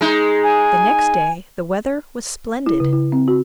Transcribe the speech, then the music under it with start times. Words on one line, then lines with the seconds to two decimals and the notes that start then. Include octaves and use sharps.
The next day the weather was splendid.
0.01 G#3 D#4
0.44 G#5
2.66 E4
2.80 C#3
2.93 E4
3.12 C4
3.28 F#4